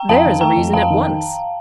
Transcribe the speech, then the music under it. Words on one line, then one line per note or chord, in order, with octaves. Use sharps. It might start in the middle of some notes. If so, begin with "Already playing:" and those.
There is a reason at once.
Already playing: G5 A#5
F2 F5 A5
D#3
A3 G5 A#5
F2
F2 F5 A5
D#3